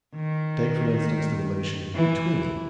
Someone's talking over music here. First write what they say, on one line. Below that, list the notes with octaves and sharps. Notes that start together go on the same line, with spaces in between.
Take, for instance, the relation 'between'.
D#3
E3